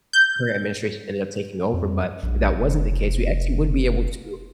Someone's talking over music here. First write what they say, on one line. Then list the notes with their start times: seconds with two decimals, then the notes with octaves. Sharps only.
current administration ended up taking over, but if that wasn't the case, we actually would be able to,
0.13 G6
1.73 F2
2.23 A#1
2.59 F1